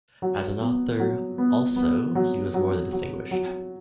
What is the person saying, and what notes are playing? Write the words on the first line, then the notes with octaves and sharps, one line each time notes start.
As an author also he was more than distinguished.
F#3
B3
F#3
B3
B3
F#3
F#3
F#3
F#3